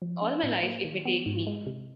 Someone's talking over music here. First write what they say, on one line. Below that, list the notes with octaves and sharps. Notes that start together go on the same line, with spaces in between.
All my life it may take me!
F3
C#4
A2
A#3
D#3
B3
G#2
G#3
C3